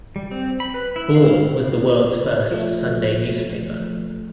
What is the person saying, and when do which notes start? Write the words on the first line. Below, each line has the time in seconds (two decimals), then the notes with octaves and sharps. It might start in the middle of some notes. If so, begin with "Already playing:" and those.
Bourne, was the world's first Sunday newspaper.
0.16 G3
0.31 C4
0.60 B5
0.74 B4
0.96 E4
1.15 F5
2.51 F3 A3